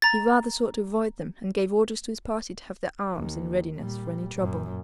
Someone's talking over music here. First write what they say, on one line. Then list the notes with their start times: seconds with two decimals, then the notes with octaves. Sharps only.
He rather sought to avoid them, and gave orders to his party to have their arms in readiness for any trouble.
0.02 A#5 A6
3.14 D#2
3.77 A#2 G3
4.34 F#2 A#2